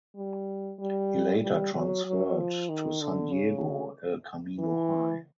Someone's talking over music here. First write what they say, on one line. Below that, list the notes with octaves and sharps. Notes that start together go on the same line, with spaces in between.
He later transferred to San Diego El Camino High.
G3
G3
G3
F#3
F#3
F3
D#3
D3
C#3
E3